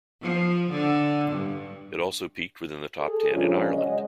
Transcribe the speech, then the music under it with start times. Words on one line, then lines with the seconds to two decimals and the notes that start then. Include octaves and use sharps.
It also peaked within the top ten in Ireland.
0.22 F3
0.69 D3
1.29 G2
2.99 G#4 A4
3.31 G2 A#2 F3 G#3 C#4 F4
3.72 C#3 F#3 G#3 D#5